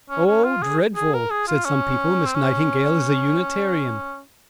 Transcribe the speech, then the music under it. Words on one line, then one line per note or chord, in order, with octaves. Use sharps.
"Oh, dreadful!" said some people; "Miss Nightingale is a Unitarian!"
C#4
C#4
F4
G#4
G#4
A#4
G#4
F4
C#4
C4
C#4